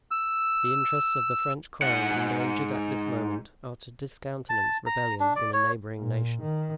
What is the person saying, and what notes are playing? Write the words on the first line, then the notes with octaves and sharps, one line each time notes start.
The interests of the French crown, endangered at this moment, are to discountenance rebellion in a neighboring nation.
E6
G#2 F#5
A5
A#5
D4
D5
C#5
A#2
D#3